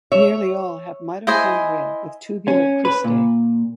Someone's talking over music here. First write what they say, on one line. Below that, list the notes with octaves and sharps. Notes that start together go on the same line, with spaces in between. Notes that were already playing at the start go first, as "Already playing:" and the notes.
Nearly all have mitochondria with tubular cristae.
C#5 E5
E4 C5 D#5 G#5
C#4
B4
A#2